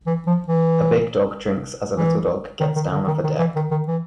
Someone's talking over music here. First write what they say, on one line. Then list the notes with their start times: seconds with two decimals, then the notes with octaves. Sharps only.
A big dog drinks as a little dog gets down off a deck.
0.07 E3
0.27 F3
0.48 E3
1.96 E3
2.60 D#3
2.76 D#3
2.92 D3
3.07 D#3
3.24 D#3
3.39 E3
3.56 D#3
3.71 D#3
3.87 E3